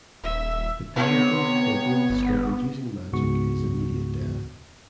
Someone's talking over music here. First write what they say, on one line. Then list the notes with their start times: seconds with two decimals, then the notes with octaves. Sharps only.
The penalty for being discovered using magic is immediate death.
0.23 D#1 E5
0.96 C3 B3 C#5
2.10 G1
3.12 C#2 G#2 C#3 B3 F#4 C#6